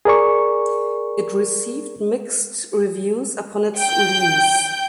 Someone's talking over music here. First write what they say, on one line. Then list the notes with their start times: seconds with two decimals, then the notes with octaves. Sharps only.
It received mixed reviews upon its release.
0.05 G#4 A#4 D5 C#6
3.77 G5 G6